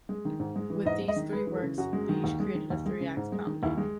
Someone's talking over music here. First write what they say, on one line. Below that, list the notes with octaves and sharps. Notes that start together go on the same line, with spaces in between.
With these three works, Lesage created a three-acts comedy.
G#3
D#3
G#2
G#3
E3
G#2 D#5
G#3
D#5
D#3
G#3 B4
E3
A4
C#3
F#2 F#4
G#3
D#3
D#2
G#3
D#3
D#2
G#3
C#3
G#2
G#3
D#3
D#2 E4
G#3